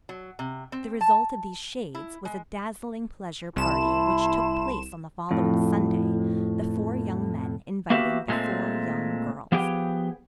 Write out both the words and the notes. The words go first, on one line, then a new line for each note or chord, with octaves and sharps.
The result of these shades was a dazzling pleasure party which took place on the following Sunday, the four young men inviting the four young girls.
F#3
C3
C4
A5
E4
G#3
C2 E4 A5 B5 C6 E7
F2 A2
A#3 B3 F#4 G4 E5
A#2 G#3 A3 C4
F3 B3 G4 G#4 G5